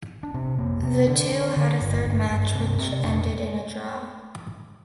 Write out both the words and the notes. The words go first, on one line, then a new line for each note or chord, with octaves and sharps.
The two had a third match, which ended in a draw.
D4
C3 C4
F2 A#3
C3 C4
D3 D4
D3
D3
G2
G2
G2
C3 C4
C3 C4
F2 D4